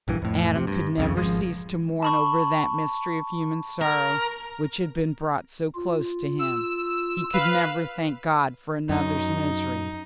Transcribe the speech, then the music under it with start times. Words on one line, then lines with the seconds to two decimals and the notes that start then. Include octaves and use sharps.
Adam could never cease to mourn over that mystery of human sorrow which had been brought so close to him; he could never thank God for another's misery.
0.08 A#1 G2 E3
0.22 F2 A2
0.56 C3
0.67 G2
0.98 C2 F2 C#3
1.16 G#1 F3 G#3
2.03 A5 B5 C#6
3.81 A#4
5.75 F4
6.39 E6
7.33 B4 F5
8.89 F#2 D#4